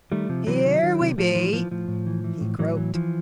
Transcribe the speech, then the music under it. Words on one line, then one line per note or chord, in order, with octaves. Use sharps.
"Here we be!" he croaked.
D#3 G3 A3
C3 F3
C3 E3 F#3
D#3
D#3
C3
A2 F3
E3 F3
E3 F3
A2 F3
A2
E3
E3
A2
A2 E3 F#3
E3
E3 F3